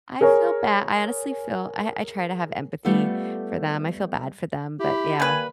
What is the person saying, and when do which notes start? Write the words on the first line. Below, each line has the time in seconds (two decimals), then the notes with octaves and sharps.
I feel ba I honestly feel I I try to have empathy for them, I feel bad for them, but, yeah,
0.21 G#4 A#4 C#5
2.85 G3 A3 B3 F4 G4 A4
4.80 E4 G4 B5
5.20 G3 A#3 B4 G#5